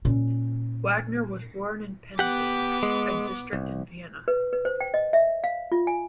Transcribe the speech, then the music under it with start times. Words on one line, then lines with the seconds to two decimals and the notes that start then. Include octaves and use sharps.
Wagner was born in Penzing, a district in Vienna.
0.05 A#2 C#4
2.19 B3 G4 F#5 D6
2.83 G#3
3.53 C2
4.28 B4
4.53 B4
4.65 C5
4.81 G5
4.94 D#5
5.13 E5
5.44 F5
5.72 F4
5.87 G#5